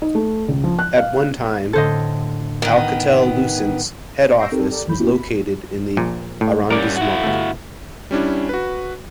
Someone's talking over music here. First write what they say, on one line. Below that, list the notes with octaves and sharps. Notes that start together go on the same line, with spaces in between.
At one time Alcatel-Lucent's head office was located in the arrondissement.
D#4
A3
C#2
F3
F#6
F5
A2 D3 A4 C5 D#5 G#6
D#3 B3
C#6 E6 G6 A#6 C7 D7
C4 D#4 G4 A4 A#4
G4 A4 A#4 D5
F#2 D#3 E3 F#3 B5 G6
A#3 B3 C#4 E4 F#4 G4
B5
A#1 A#2
A2
G3 C#4 A#4 D5
E4 F#4
G1 A3
G3 C#4 D4 E4
F#4 B4